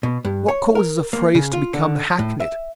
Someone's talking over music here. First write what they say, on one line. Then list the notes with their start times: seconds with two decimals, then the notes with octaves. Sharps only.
What causes a phrase to become hackneyed?
0.03 B2
0.25 G2
0.48 C#5
0.75 A#4
1.13 A#3
1.35 C#3
1.53 F4
1.74 D3
2.19 A2
2.40 E5